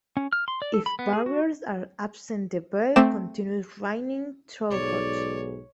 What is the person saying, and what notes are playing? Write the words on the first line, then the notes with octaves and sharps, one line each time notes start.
If barriers are absent the bell continues ringing throughout.
C#4
F6
C6
D5
A4
B5
B3
G#4
F#4
A3 C4 D6 E7
B1 G#2 C#5 D5